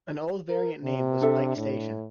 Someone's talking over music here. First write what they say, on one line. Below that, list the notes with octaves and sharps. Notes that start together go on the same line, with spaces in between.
An old variant name was Pike Station.
A#4
C3
D4 A4 E5
A2